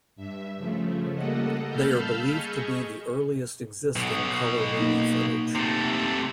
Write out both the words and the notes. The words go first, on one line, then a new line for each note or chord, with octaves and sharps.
They are believed to be the earliest existing color movie footage.
G2 E5
C#3 F3 A3
G3 A#3 A4 D#5 F#5
F5 A5 B5 E6 F6 G6
G#4 D#5 C#6
B1 B2
A#3 D#4
C3 A3